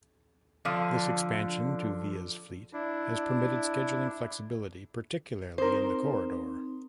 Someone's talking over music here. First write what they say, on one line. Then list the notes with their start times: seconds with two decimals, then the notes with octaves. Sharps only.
This expansion to Via's fleet has permitted scheduling flexibility, particularly in the corridor.
0.65 D3 F3
2.73 D4 E4
5.58 C4 D#4 A#4 C5